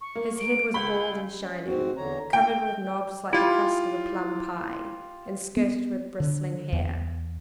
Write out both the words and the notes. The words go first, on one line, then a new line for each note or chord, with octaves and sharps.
His head was bald and shining, covered with knobs like the crust of a plum pie, and skirted with bristling hair.
C#6
A#3
D7
C#2 B5 G7
C#4
G#2 C4 F#4
E2 D3 C#5 A#5
G5
E4 F4 G4
B3
D3
E2